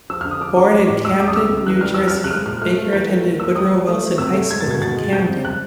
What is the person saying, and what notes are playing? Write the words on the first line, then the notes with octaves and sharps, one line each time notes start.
Born in Camden, New Jersey, Baker attended Woodrow Wilson High School in Camden.
F3 E6
F6
D3
D#6
F3 D6
F3 C#6
G#3 D6
A2
G#3 E6
G#3 D6
D#6
C#2 E6
C#3
E3 F#6
G3 F6
F3 E6
F6
F3
F#6
G#3 F6
A#2 F6
A3 F6
A3
E3 G6
A3
A#3
A#3 E6
G3 D#6
G3
A3 D#6
A3
C3 E6
A3
G#3 G#6
A6
B2 G#6
B2 A6
G#3
F3 G6
C3
F#6